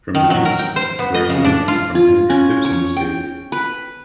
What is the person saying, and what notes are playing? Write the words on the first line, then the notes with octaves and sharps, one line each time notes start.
From the east, there is an entrance from Henrik Ibsens gate.
D#3
F#3
A#4
G5
C5
B3
D#5
C#3
D4
F4
F4
C#4
C#5
G5
B4